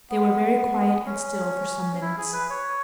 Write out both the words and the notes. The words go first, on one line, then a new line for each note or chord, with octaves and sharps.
They were very quiet and still for some minutes.
B3
C#4
E4
G#4
B4
C#5